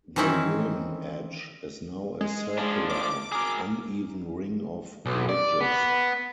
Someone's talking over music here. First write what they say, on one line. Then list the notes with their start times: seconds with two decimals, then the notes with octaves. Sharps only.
The rim edge is now a circular, uneven ring of ridges.
0.16 D#3 E3 C4 C#4 D#4 E4
2.21 G#3
2.58 F3 D4
2.90 D6
3.32 G#4 A#4
5.06 B1
5.29 D5
5.61 B3